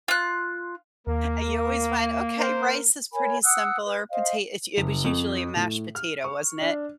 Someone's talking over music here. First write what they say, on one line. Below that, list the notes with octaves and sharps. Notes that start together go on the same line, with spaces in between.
And you always went, "Okay, rice is pretty simple, or pota" it's us It was usually a mashed potato, wasn't it?
F4 F#6
D#2 A#3 A#4
A#4 C5
A#4 C#5 G#5 B5
F#5 D#6 E6 F#6
B4
C5 D#5 F5
F#1
F2
A2
F6
C#6
D4